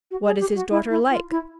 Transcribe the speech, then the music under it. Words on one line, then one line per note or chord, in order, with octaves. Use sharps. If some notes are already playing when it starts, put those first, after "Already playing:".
"What is his daughter like?"
F#4
G#4
G4
F#4
E4
E4
F4
E4